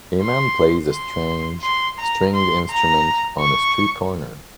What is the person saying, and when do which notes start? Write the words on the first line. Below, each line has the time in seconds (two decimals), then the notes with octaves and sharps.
A man plays a strange stringed instrument on a street corner.
0.22 C6
0.93 C6
1.63 C6
1.99 A#5
2.34 C6
2.69 A#5
3.40 C#6